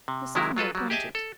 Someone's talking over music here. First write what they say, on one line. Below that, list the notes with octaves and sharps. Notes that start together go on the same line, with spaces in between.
The sophomore pointed.
C3
C3 D#3 F#3 G#3 E4 A#4
F#3 F4 A4 B4
F#3 G3
G4 G#4 D#5 E5 G#5 A5
A4